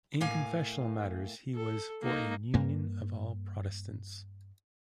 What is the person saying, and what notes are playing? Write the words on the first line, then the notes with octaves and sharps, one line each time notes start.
In confessional matters he was for a union of all Protestants.
A2 A#3 F5 G#5
A4
A#3 D#4
G2 A#3